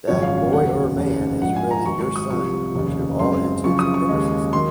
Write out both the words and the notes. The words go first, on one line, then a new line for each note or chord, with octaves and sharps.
That boy or man is really your son to all intents and purposes.
G#1 F#2 C#3 F3 C#5
F5
F5
F1 D#2 C#3 F#3 F#5
F1 D#2 C#3
A#1 G#2 F3 F#5
G#5
A#5
G#1 G#2 F#3 C#6
C#6
D#6
C2 C3 F3 C#6
F1 D#2 C#3
F#1 F#2 C#3 G#3 C4 C6
F#1 F#2 C#3 F3 C#6
D#6
C#6
D#2 C#3 G#3
D#3 F#3 C6